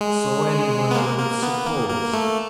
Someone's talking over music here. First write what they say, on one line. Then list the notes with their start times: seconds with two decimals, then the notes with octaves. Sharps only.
So any one would have supposed.
0.01 G#3
0.91 B3
0.95 A#3
1.19 A#3
1.43 B3
1.66 A#3
1.90 A#3
2.13 A3